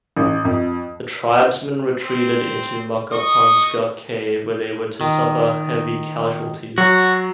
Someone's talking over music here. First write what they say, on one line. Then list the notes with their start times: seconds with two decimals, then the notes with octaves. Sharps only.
The tribesmen retreated into Makapansgat cave, where they were to suffer heavy casualties.
0.17 A1
0.45 F2
2.02 C4
3.12 D#5 C#6 D#6
5.01 D#3
6.78 F#3 F#4